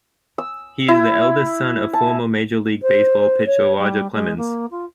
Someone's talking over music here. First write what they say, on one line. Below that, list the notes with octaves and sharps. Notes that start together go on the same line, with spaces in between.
He is the eldest son of former Major League Baseball pitcher Roger Clemens.
E6
E4
A5
C5
C#5
G3
G#3
A#3
F4